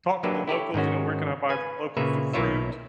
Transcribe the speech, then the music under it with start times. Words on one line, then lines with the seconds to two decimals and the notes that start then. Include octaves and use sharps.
talk to the locals, you know, where can I buy local fru fruit,
0.23 F#3 A#3 D4 G4 B4 E5
0.48 E4 G4 A4 C#5
0.74 G#2 D#3 C#4 F#4
1.49 B4 G#5
1.97 A#2 C#3 A#3 B4 C#5 E5
2.33 B1 A#3 E4 F4 C#5 E5